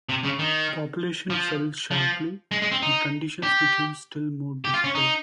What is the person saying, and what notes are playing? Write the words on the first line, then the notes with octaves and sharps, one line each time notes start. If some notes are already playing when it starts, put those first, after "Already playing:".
Population fell sharply and conditions became still more difficult.
C3
C#3
D#3
F3
F3
G#3
G#3
C4
D#4
G4
G4
F4
C#4
D#4